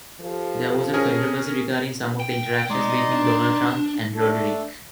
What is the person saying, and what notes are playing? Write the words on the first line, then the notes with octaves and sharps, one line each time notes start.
There was controversy regarding some the interactions between Donald Trump and Roderick.
F3 G4 A4
C#4 G#4 A#4
G5
G#3 D#4 D5 C6
D#5
D4
A3 D4 A4